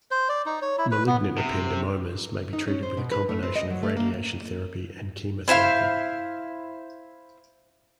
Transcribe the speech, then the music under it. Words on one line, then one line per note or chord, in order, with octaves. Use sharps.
Malignant ependymomas may be treated with a combination of radiation therapy and chemotherapy.
C5
D5
D#4
C#5
E4
B4
B3
C3
D#4
C#4
C5
B2
B4
A3
C4
D#5
F#3
A3
A#3
E4 C5 E5 F5